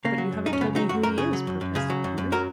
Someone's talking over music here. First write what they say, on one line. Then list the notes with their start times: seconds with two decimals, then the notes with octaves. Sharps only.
"But you haven't told me who he is," protested Peter.
0.05 C#3 A#3
0.18 F#3
0.32 F#2
0.46 F#2 D#4
0.53 C#4
0.61 C#3 B3
0.75 F#3 D#4
0.89 F#2 F#4
1.03 F#2 A#4
1.18 C#3 G#4
1.33 F#3
1.47 F#2
1.61 F#2
1.75 C#3 G#4
1.90 F#3
2.04 F#2
2.18 F#2
2.32 F#3 A#4